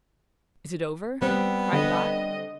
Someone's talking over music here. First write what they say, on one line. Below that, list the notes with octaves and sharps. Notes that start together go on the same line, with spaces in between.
"Is it over?" cried Dot.
G3 B3 C4
D3 D#5